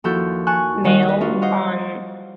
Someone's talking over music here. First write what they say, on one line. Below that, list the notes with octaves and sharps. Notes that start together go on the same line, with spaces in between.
male on
D#2 F3 E4 F#4 A4 G6
G#5 A5 C#6 F#6
D#3 G3 D#5 F#6
B4 D#5
D4 F4 F#4
C5 D#5 F5 F#5